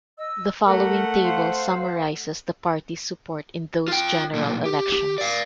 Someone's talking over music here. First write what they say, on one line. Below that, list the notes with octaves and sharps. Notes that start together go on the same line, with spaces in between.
The following table summarises the party's support in those general elections.
D#5 E6
A3 A#4 F#5
C5 F5
F4 G5
B1 A#2
G4
G4
D5 F5